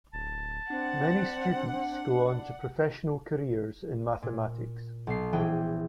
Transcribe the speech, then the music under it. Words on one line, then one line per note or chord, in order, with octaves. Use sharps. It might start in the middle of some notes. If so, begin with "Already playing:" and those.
Many students go on to professional careers in mathematics.
D1 A5
C4 D4 F#5
A#2
B1 C7
A#1 E3 G#4 G5 G6